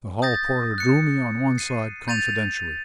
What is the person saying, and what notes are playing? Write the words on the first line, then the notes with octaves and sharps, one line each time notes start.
The hall porter drew me on one side confidentially.
D#6 G6 A6 A#6
F#6 C#7
C7 D#7
G6 A6 D#7 F7